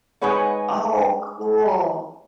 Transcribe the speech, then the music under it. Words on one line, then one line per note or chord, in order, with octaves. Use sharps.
Oh, cool!
G#3 D#4 G#4 B4 C#5 F#5